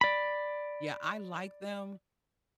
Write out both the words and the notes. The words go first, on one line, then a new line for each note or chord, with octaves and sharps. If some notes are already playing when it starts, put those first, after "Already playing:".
Yeah, I like them,
D5 B5